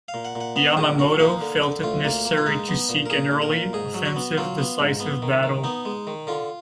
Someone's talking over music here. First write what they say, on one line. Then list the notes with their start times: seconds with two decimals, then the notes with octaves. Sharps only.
Yamamoto felt it necessary to seek an early, offensive decisive battle.
0.08 F5
0.14 A#2
0.25 F#5
0.35 A#2
0.41 F#5
0.56 B3 F#5
0.77 A#2 G#4
0.98 A#2 F#4
1.20 A#3 D#4
1.41 D3
1.62 D3
1.83 D2 F4
2.04 A#3
2.25 A#3
2.37 F4
2.46 G#3 D#4
2.68 B3
2.89 A#2
3.06 A#4
3.10 A#2 G#4
3.31 A#2
3.42 A#4
3.52 A#2
3.73 G#2 G#4
3.94 F#3
4.05 F#4
4.16 B3
4.37 F#3 F4
4.58 B3
4.80 G#2
5.00 B3
5.22 D#3
5.43 D#3
5.64 B3 D#4
5.85 G#3
6.07 D#3
6.27 D3 F4